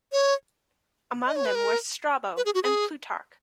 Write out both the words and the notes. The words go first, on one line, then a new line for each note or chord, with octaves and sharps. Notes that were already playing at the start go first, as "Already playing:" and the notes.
Among them were Strabo and Plutarch.
C#5
D#5
C#5
B4
A#4
B4
G#4
F#4
G#4